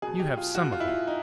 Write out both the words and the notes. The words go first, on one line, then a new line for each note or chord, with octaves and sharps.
You have some of them.
B2 F#3 G#4
G4
F4
F#4
F4
E4
F4
D#4